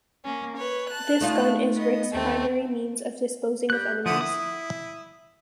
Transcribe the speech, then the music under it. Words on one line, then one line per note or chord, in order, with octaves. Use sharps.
This gun is Rick's primary means of disposing of enemies.
A#3 C#4
B4 C#5
A5 F#6
A3 D#4 F4
B3 D#5
D#2 A3 C4
G3 F#6 G6
D3 F3 E4 F#5 D#6
E4 D#6